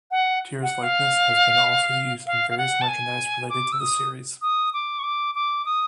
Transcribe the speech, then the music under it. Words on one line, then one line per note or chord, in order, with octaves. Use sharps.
Tira's likeness has been also used on various merchandise related to the series.
F#5
F#5
F5
F5
F5
F#5
A5
G#5
D6
E6
D#6
D#6
D6
C#6
D6
D6
D#6